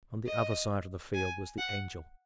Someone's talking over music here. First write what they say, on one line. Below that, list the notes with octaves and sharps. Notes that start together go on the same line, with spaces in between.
On the other side of the field was the Angel.
D#5
G#5
F#5